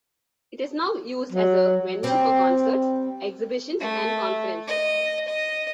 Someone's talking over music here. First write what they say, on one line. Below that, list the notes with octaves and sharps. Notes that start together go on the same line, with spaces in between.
It is now used as a venue for concerts, exhibitions and conferences.
F#3
G3 C4 D5
A3
D#5
D#5